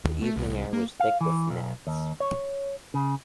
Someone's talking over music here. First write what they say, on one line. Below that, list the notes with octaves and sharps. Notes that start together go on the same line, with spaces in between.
The evening air was thick with gnats.
D#2
A3
C2
C2
A#3
F5
E3
B1
D#2
C#5
C#3